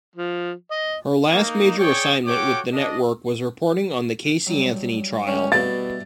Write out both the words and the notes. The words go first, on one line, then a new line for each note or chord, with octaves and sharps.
Her last major assignment with the network was reporting on the Casey Anthony trial.
F3
D#5
A#3 D#4
G#4 C#5 D5 G5 C#6
F#4 G4 A4 C#5 G5 D6
D4 D#5
G2 F#3
C#2 G3 C#4
B2 G3 A3 E4 A6